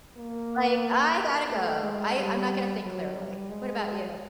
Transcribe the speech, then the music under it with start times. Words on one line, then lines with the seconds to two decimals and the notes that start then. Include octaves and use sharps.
like, I gotta go, I I'm not gonna think clearly. What about you?
0.17 A#3
1.50 A3
1.83 G#3
2.17 G3
2.83 F#3
3.17 G3
3.50 G#3